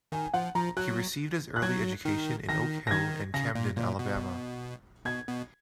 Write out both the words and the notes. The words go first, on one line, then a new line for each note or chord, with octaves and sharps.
He received his early education in Oak Hill and Camden, Alabama.
D#3 G#5
F3 F#5
F3 A#5
F#3 F#6
F#6
F#3 G#6
D#3
D#3 A#6
A#6
D#3 G#6
C#3 A#6
A#2
A#2
B2
B2 G#6
B2